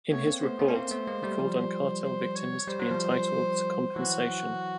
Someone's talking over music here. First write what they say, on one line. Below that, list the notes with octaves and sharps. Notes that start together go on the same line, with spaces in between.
In his report, he called on cartel victims to be entitled to compensation.
A3 B3 C#5
A#3 C4
A3 B3 C5
A3 B3
C#4
A#3 C4
A3 B3
G#3 A#3
G3 A3
F3 G3
C5
C#5
G3 C5
F#3
F3 G3
E3 F#3 F#4